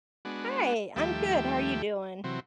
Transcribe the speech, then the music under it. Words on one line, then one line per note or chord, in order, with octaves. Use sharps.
Hi. I'm good. How are you doing?
G#3 B3 D4 F#4
D#2 F3 G3 A3 G4 E5
C3 E3 F#3 C4